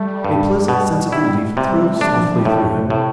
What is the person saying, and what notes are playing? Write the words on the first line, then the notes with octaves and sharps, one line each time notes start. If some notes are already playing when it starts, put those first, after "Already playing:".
A pleasant sense of relief thrilled softly through him.
Already playing: G3 A3
G2
B2
E4
C3 G3
G3
A3
G3 D4
F3
E3
F3
G3
A2 A3
C3
A2